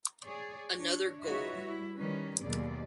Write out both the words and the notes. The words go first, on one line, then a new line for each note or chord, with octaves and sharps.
Another Goal!
G#4 C#5 D5
D4 C#5
D#4 F4 F#4 B4 C#5 E5
G3 E4
D#3 G3 C#4 B4
D#2 B2 F#3 G#4 D5